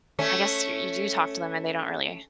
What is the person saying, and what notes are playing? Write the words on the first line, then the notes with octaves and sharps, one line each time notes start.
I guess you you do talk to them and they don't really
A3 C#4